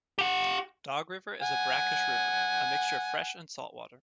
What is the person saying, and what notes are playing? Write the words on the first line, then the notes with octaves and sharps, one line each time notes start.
Dog River is a brackish river - a mixture of fresh and saltwater.
G4 F#5
F#5 G#5